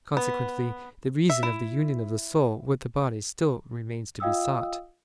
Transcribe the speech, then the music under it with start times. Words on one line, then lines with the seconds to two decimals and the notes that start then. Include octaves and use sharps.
Consequently the reason of the union of the soul with the body still remains to be sought.
0.17 B3
1.30 E5
1.43 E4
4.20 F4 D#5 F5 G5 D#6 E6